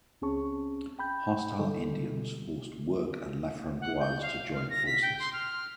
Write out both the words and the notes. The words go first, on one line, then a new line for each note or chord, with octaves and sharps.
Hostile Indians forced Work and Laframboise to join forces.
C#2 C4 C#4 G#4 A5 C#6
G5 B5 G6
D3 G3 A4
F#5
G6
F5
F6
A#6
B6
G5
C6
F6